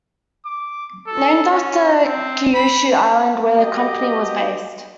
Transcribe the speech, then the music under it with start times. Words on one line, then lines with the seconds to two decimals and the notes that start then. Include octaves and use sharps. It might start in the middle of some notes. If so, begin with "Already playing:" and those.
Named after Kyushu island where the company was based.
0.45 D6
1.07 A4
1.50 C#4
2.05 C4
2.55 B5
3.58 G2 B3 F#4 G4 D#5